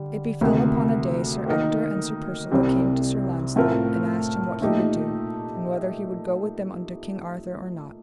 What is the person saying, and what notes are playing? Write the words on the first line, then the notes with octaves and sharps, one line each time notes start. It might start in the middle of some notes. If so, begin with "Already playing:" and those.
It befell upon a day Sir Ector and Sir Percivale came to Sir Launcelot and asked him what he would do, and whether he would go with them unto King Arthur or not.
Already playing: D3 G3
D2 C3 D#3 A#3
D#3 A#3 D#4 A#4
C2 C3 G3 C4 G4
A2 A3 C4 F4 A#4
A#2 A3 D#4 G4